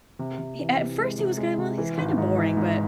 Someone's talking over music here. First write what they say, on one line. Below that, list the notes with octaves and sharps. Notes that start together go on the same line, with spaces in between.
He at first, he was kinda, "Well, he's kinda boring," but,
C3
C3
E3
C3
G#3
C3
G#3
C3
E3
G#1
G#2
E3
G#2